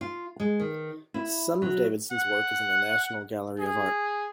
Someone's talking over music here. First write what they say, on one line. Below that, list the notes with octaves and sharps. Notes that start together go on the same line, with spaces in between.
Some of Davidson's work is in the National Gallery of Art.
F4
G#3
D#3
E4
F#3
F#5
G#4